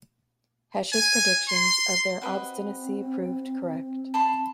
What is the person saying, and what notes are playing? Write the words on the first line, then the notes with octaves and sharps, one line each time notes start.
Hesh's predictions of their obstinacy proved correct.
G#5
C6
C4 F#4 B4 D#5
A5 B5 C6